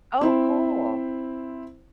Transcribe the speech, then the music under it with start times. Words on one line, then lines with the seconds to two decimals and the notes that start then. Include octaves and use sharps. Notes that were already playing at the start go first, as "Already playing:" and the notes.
Oh, cool.
0.21 C4 E4 C5